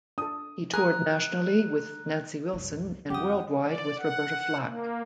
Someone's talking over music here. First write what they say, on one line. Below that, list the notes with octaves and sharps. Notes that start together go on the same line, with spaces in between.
He toured nationally with Nancy Wilson and worldwide with Roberta Flack.
D4 A4 D#6
G#4 A#4 G#5 A#5 F#6
C2 F#2
F2 G3 G4 F#5 G5 D#6
D5
F#5
A#3